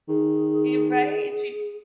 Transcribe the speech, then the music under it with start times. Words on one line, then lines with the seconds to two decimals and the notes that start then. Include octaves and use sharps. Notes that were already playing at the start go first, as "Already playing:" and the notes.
e right, she
0.09 D#3 G#4